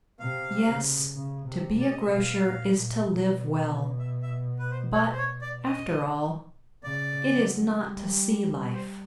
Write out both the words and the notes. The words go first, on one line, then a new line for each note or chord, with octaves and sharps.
Yes, to be a grocer is to live well; but, after all, it is not to see life.
C3 F5
C#3
C#3
C3
C3 D5
D#5
E5
B2 F5
A#2
A#2
B2
E5
E5
B4
C5
C#5
C5
C#5
D5
D#5
C#3 D5
F#3
G3
C5